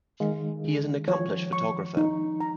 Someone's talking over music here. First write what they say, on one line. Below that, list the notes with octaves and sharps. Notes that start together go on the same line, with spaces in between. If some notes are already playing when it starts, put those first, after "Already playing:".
He is an accomplished photographer.
D#3 G#3 F5
G#4
F3 C#5
C#6
D#4
A#5